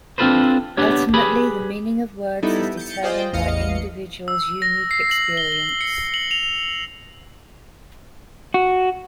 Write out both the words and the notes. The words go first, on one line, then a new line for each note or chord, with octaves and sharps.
Ultimately, the meaning of the words is determined by an individuals unqiue expierence.
C4 D4 F4 A4 B4 C5
B3 D4 G4 C#5
G4 G#4 B4 B5
G3 B3 D#4 E4 A4
G6 A6 C#7
F4 G#4 C5 D5 D#5 G5
A1 E2 D#5 F5 C#7
E6
A#6
C7
F#7
G7
G7
C#7
F#7
F7
F#4